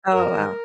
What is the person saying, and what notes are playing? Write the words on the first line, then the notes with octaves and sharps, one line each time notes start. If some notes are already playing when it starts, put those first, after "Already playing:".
Oh, wow.
F#2 A#4
D#3 G3